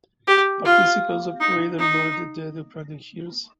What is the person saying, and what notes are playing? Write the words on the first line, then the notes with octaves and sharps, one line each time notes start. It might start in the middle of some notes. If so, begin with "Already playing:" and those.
Participants of parade honored the dead Ukrainian heroes.
G4
F4
D#4
D#4